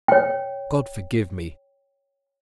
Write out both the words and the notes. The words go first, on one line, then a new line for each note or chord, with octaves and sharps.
God forgive me!
C#5 G5